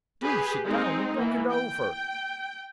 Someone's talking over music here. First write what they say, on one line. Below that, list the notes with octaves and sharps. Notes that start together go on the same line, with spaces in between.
Do sit down and talk it over.
G4 G#4 B4
G#3 C4 D#4
E3 A#3
G5